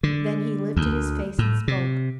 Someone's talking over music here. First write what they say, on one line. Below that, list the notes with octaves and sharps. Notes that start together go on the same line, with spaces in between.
Then he lifted his face and spoke.
D3
D2
A2
C3